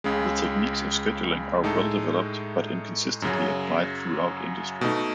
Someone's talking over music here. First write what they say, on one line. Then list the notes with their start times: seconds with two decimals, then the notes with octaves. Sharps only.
The techniques of scheduling are well developed but inconsistently applied throughout industry.
0.04 C#2 C#3 G#3
1.64 A2 G#3 D#4 A4
3.22 F#2 C#3 F#3
4.81 B2 A3 D#4